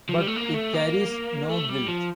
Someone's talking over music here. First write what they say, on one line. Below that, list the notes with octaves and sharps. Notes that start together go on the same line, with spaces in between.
But it carries no guilt.
F3
G3
A3
A#3
A3
A#3
A3
G3
F3